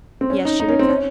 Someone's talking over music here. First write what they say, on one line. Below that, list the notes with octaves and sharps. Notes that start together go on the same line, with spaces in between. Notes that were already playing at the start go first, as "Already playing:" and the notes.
"Yes," she replied.
C4
C#4
D#4
D#4
C#4
C4
C#4